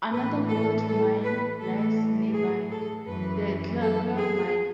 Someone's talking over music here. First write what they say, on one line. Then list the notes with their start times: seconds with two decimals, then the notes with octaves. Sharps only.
Another gold mine lies nearby, the Clogau mine.
0.12 A2 E3 B4
0.49 A4
0.86 A4
1.23 B4
1.59 A2 E3 A4
2.33 G#4
2.70 A4
3.07 F#2 E3 B4
3.80 A4
4.16 G#4